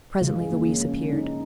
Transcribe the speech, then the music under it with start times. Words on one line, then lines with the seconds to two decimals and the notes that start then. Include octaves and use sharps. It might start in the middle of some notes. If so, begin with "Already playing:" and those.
Presently Louise appeared.
0.21 C#3 F3 G#3 F4
0.36 G#4
0.52 A#3
0.67 C#4
0.90 C#4
1.13 D#4